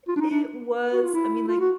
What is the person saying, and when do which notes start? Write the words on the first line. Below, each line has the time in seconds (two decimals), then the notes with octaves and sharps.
I It was. I mean, like,
0.08 F4
0.16 D4
0.21 D#4
0.31 D4
0.93 F#4
1.03 F4
1.13 E4
1.48 F4
1.60 F#4